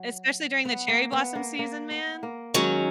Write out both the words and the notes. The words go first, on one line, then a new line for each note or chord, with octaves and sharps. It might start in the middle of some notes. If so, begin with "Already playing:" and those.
Especially during the cherry blossom season, man.
Already playing: F#3
B3
A#3
B3
A#3
A#3
B3
A#3
D#3 F#3 G#3 C#4